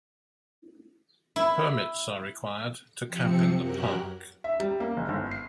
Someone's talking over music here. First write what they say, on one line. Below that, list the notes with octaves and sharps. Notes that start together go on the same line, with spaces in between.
Permits are required to camp in the park.
E4
C3 F3 C4 C#7
F#2 F#3 F#4 G4 A#4 F#6
E5
G3
A#3
F#1
G1
C7